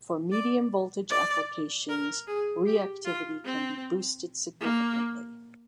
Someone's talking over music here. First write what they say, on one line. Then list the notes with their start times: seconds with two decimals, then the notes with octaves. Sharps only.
For medium voltage applications, reactivity can be boosted significantly.
0.32 D5
1.10 D5
1.89 A#4
2.27 G#4
2.66 G4
3.05 F4
3.45 C4
4.61 A#3